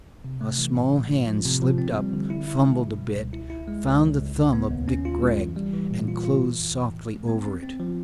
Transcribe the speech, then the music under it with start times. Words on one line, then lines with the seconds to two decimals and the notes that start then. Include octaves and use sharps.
A small hand slipped up, fumbled a bit, found the thumb of Vic Gregg, and closed softly over it.
0.24 C3
0.41 A3
0.58 E3
0.75 A2
0.93 A2
1.11 A2
1.27 F3
1.45 C3
1.62 F3
1.78 C4
1.96 G3
2.13 D3
2.30 E4
2.48 E4
2.64 G#3
2.82 B2
2.99 G3
3.16 C#2
3.33 E4
3.50 E4
3.68 G#3
3.85 C#2
4.01 C#2
4.19 C#2
4.37 C#3
4.53 B3
4.70 D#2
4.88 C#4
5.05 F4
5.22 G#3
5.39 E3
5.56 G3
5.73 E3
5.91 A#2
6.08 F4
6.25 F4
6.42 E3
6.60 F2
6.77 E3
6.94 A2
7.11 G#3
7.28 B3
7.44 C4
7.63 C4
7.80 F3